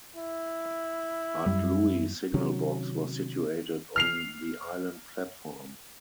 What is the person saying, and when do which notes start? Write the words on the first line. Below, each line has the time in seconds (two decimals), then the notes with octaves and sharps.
Ardlui signal box was situated on the island platform.
0.16 E4
1.46 F#2 G3
2.34 C3 D#3 F#3 C#4
3.96 F6 C7 F7